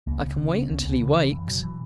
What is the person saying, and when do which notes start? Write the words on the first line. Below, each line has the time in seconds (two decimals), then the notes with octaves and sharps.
"I can wait until he awakes."
0.07 C#2 A#3
0.23 C#2 B3
0.38 C#3
0.54 C#3
0.69 C#2 C#4
0.80 B3
0.84 C#2
0.90 B3
1.00 C#3 E3
1.16 C#3 E3
1.31 F#1 E3
1.47 B2 F#3
1.63 E3